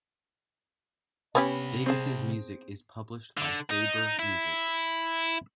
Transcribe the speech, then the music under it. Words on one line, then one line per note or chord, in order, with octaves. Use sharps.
Davis's music is published by Faber Music.
C3 B3 C#4 G4 B5
C4 G#4 A5
D3
D#4
E4